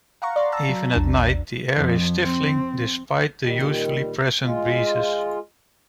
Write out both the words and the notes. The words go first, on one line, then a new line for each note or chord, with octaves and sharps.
Even at night the air is stifling despite the usually present breezes.
F5 F#5 A#5 C#6
D5 A#5 C6
A5 A#5 E6
F#3
A#1 E2 D4
F2
C4
A#2 D#3 G3
G#3 F4